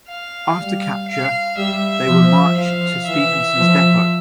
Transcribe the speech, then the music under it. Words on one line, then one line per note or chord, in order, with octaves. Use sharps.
After capture, they were marched to Stephensons Depot.
F5
G3
F5
G3 E5
F3
F3 F5
E3 E5
F3